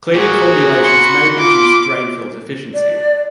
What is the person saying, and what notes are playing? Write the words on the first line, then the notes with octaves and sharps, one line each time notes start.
Cleaning formulations may reduce drain field efficiency.
A#2 F#4 G#4
B5 C6 C#7
F4 D6
D5